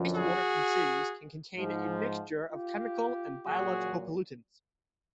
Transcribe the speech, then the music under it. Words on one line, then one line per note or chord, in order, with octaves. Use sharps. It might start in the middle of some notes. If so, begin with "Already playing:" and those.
Wastewater from cities can contain a mixture of chemical and biological pollutants.
Already playing: F#2 D3 F3
F#4 G#4
G#2 F3
F4 G4
A#2 F#3 F#4 G#4